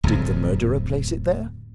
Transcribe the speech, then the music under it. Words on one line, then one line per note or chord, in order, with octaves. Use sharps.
Did the murderer place it there?
D1 F2